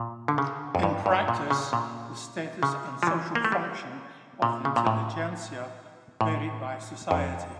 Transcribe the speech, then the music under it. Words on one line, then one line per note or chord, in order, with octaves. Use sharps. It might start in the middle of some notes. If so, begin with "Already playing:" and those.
In practice, the status and social function of the intelligentsia varied by society.
Already playing: A#2
D3
C#3
F2
G2
G2
A#2
C#3
A#2
C#3
F3
E3
A#3
A3
G3
A#2
C#3
A#2
A2
A2
F2